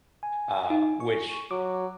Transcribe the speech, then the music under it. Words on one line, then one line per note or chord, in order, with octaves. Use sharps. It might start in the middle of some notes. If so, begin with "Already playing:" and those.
uh, which,
G#5
D#4
C#6
F#3 D6